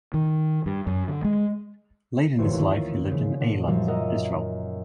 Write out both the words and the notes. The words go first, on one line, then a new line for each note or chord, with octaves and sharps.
Late in his life, he lived in Eilat, Israel.
D#3
G2
F#2
D3
G#3
A1 F2 D3 F4 C#5
D#2
C#3 F3
A#2 D4 F#5 A5
F#2 A#2 F3 G3
A#4 D#5 E5 F#5 A#5